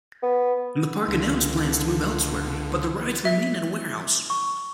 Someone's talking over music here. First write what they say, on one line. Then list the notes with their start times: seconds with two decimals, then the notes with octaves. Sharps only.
The park announced plans to move elsewhere, but the rides remained in a warehouse.
0.22 B3
1.07 C#2 D3
3.25 E5
4.30 C#6